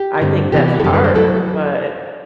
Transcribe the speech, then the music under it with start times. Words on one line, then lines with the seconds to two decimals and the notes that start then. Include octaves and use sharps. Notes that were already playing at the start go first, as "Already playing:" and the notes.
I think that's hard, but
Already playing: G4
0.21 G2 D3 A3 C4
0.52 C3 E3 B3 G4
0.68 F#4
0.80 A4
0.84 F#2 D3 G3 G4
0.94 B4
1.04 C5
1.14 F#3 A3 E4 A4